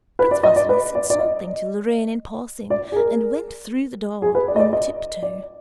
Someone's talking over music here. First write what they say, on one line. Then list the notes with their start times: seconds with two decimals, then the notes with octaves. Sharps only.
Prince Vasili said something to Lorrain in passing and went through the door on tiptoe.
0.19 B4
0.31 D5
0.43 D#5
0.56 D5
0.69 B4
0.95 D5
1.10 D5
1.19 D#5
2.70 D5
2.92 G#4
2.96 A#4
4.22 G#4
4.35 B4
4.48 D5
4.56 D#5
4.59 D5
4.73 D#5
5.23 D5